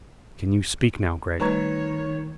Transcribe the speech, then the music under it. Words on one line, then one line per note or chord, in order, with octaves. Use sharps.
"Can you speak now, Gregg?"
D#3 G3 A3 B4 C#5 A#5 C#6 G#6